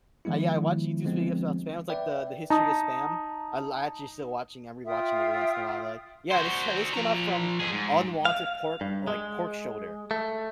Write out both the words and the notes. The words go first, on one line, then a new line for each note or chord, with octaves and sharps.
Uh, yeah, I watched YouTube videos about Spam, it's like the the history of Spam. I'll actually still watching, I'm rewatching every once in a while, they're like, "Yeah, this h this came up from unwanted pork, like pork shoulder"
D#3 F3 G#3 B3 E4
D3 F3 G#3 B3 C4
B4 D5 E5 G5
D#4 A5 A#5 D#6
F4 E5 G5 D#6
F#4 C5
F3 A#5
F2 G#4
G#2
F5
G2
G#3
A3